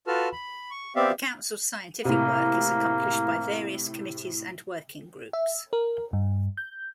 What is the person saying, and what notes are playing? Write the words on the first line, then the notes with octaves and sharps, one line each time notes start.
The Council's scientific work is accomplished by various committees and working groups.
F4 F#4 A4 B4 A5 F6
B5
C#6
B3 C4 G4 D5 E5 F5
A2 C3 A#3
E5
A#4
G2
G6